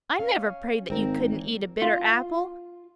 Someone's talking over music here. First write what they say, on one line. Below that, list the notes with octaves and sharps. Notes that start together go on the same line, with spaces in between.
I never prayed that you couldn't eat a bitter apple.
C#4 F5
G#1 C4 A#4
E3
F4